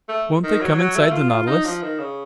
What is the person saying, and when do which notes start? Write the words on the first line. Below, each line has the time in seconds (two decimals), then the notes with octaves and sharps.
"Won't they come inside the Nautilus?"
0.09 A3
0.43 D#3
0.61 F#3
0.78 F#3
0.96 A3
1.12 F4
1.29 F4
1.47 D#4
1.65 F3
1.82 D#3
1.99 C#3